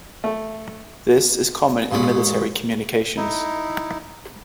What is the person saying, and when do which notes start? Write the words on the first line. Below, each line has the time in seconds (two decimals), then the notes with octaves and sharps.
This is common in military communications.
0.24 A3
1.91 A1 A#2 G#3 C#4 B5
3.16 D#4 E4